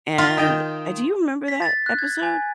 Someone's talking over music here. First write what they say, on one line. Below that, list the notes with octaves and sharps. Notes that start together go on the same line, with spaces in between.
and uh, do you remember that episode?
F4
D#3 D#5 G5
B6
A6
F#6
G#6
G#5